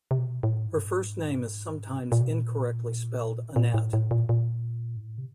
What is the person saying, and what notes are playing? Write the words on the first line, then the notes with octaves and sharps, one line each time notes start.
Her first name is sometimes incorrectly spelled Annett.
C3
B2
A2
G#2
G2
G#2
A#2
B2
A#2
A#2
A2
A2
A#2
A#2
G#2
A2
C3